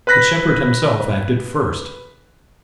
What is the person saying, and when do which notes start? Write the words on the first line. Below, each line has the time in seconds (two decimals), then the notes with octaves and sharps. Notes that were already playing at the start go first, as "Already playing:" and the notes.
But Shepard himself acted first.
0.07 B4 B5 F#6 A#6 B6